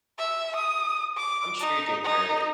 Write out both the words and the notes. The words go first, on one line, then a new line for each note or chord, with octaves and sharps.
I'm sure you're doing great.
E5
D#6
D6
D#4
D#4